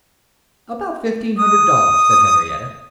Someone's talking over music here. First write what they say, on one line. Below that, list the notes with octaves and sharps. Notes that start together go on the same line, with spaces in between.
"About fifteen hundred dollars," said Henriette.
D#6